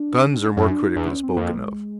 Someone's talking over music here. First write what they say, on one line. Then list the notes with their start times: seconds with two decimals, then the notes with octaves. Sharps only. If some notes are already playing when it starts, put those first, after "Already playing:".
Guns are more critically spoken of.
Already playing: D4
0.57 F#2
0.70 D4
0.82 D#4
0.96 E2 D4
1.09 C#4
1.23 C4
1.37 F2 A#3
1.57 G#3